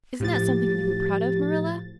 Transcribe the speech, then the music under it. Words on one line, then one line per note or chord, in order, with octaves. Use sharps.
Isn't that something to be proud of, Marilla?
A2 F3 G4 A6